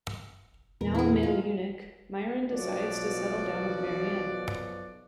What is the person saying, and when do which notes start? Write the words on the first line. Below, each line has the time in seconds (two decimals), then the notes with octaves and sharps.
Now a male eunuch, Myron decides to settle down with Mary-Ann.
0.81 E2 A#2 B3 A#4
0.95 E4 G#4
1.23 F4
2.49 B1 B2 F3 F#4 D5